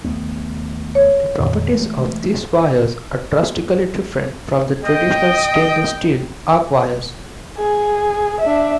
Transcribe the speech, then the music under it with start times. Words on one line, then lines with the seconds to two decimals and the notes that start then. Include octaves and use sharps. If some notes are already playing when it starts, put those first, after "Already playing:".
The properties of these wires are drastically different from the traditional stainless steel archwires.
0.04 D#2 A3 B3
0.95 C#5
1.39 F2 A#2 D#3
1.73 E3 G#3 A3
4.85 D#5 G5
7.57 G#4
8.41 D4 E5